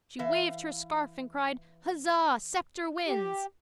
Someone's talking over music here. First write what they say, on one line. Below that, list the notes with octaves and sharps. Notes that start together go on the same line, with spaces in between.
She waved her scarf and cried: Huzzah! Sceptre wins!
E3 E5 F5
G4